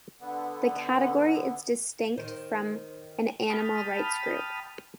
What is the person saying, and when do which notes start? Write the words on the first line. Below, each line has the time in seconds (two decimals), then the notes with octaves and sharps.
The category is distinct from an animal rights group.
0.21 D3 B3
2.18 D#3 C5
3.50 G5 A5 B5 D#6 F6